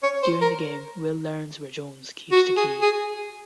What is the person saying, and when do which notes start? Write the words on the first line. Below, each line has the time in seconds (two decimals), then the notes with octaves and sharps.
During the game, Will learns where Jones keeps the key.
0.03 C#5
0.23 C5
0.42 A#4
2.32 F#4
2.57 G#4
2.82 G#4